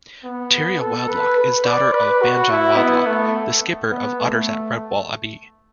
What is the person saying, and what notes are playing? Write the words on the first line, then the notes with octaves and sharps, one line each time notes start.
Tiria Wildlough is daughter of Banjon Wildlough, the Skipper of Otters at Redwall Abbey.
B3
A4
B4
B4
D5
B4
F#4
E4
B3
A3
B3
A3